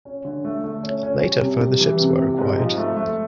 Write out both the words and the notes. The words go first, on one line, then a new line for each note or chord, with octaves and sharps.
Later further ships were acquired.
C#4
D3
A3
A3
C#4
C#4
G3
C3
G3
E3
C3
C3
G#2
F3
A3
A3